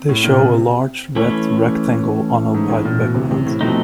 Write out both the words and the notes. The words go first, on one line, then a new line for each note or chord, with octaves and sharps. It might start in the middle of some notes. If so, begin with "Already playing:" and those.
They show a large red rectangle on a white background.
Already playing: C4
A2
A#2
C3
E3 A3 C#4
G#2
A2
A#2
B2
C3
C3
A2
B2 F3 A3 C4 D#4